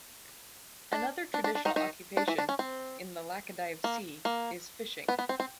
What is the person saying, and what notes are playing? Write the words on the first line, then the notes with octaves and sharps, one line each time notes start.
Another traditional occupation in the Laccadive Sea is fishing.
D4
D4
D4
D4
D#3 D#4
D#3 D#4
D4
E3 E4
D4
C#4
C4
A#3
A#3
B3
B3
C4
C4